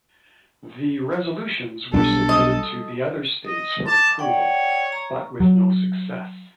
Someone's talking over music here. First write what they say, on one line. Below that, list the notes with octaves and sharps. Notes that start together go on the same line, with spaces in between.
The resolutions were submitted to the other states for approval, but with no success.
B1 G3 B3 D4 A4
D#5
D#5
A5 D6
C#5 D5 F#5 G5
A#5 C#6
F#3